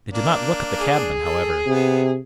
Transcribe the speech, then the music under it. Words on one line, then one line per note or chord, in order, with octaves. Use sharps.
They did not look at the cabman, however.
A#3 D4
G#4
A4
C3 B3